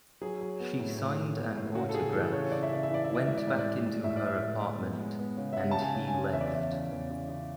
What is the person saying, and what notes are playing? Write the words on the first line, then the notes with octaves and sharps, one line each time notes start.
She signed an autograph, went back into her apartment and he left.
F#3 G#4
F#3
B3
A2
A2
A2
B3
A2
C#3 F#4
A4
C#3 G#4
E3 A4
C#3 C#5
C#3 D5
E5
C#3 D5
E5
E3
D5
E3 E5
D5
G#3 E5
D5
A2 E5
D5
G#3
A2
A2 E5
D5
A2 E5
A2
G#3
B3
G#3
B3
C#3
E5
C#3 F#5
A5
C#3
G#5
C#3
G#5
C#3
E2 E5
D5
E2 E5
C#3
E2
C#3
C#3